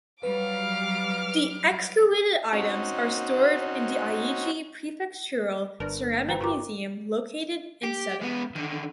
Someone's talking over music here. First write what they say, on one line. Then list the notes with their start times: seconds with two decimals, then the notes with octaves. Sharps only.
The excavated items are stored in the Aichi Prefectural Ceramic Museum located in Seto.
0.23 F#3 G3 B4 F5 D6 F6
2.53 C4 C#4 D#4 F#4
5.80 G1 D4 A#4 B4 D5
6.29 E3 B4 C5 G5 A#5
6.41 G2 F#4 A#4 D6
7.83 G4
8.21 G#3 B3
8.55 D3 D#3